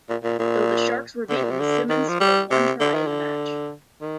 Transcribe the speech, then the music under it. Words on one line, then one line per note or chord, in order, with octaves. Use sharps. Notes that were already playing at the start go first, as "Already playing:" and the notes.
Though the Sharks were beaten, Simmons scored one try in the match.
A#2
A#2
A#2
D3
C3
A#2
C3
D3
D#3
F3
G3
C3
D3
D#3
D3
D#3